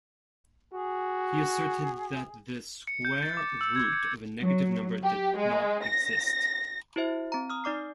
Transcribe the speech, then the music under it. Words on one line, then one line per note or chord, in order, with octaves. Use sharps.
He asserted that the square root of a negative number did not exist.
F#4 G#4
C#7
G6
A6
D6
E6
G#6
C#7
F#3
G4
G#3
A#6
E4 F#4 C5 E5
C4 A#5
D#6 F6
D#4 D5 D6 C7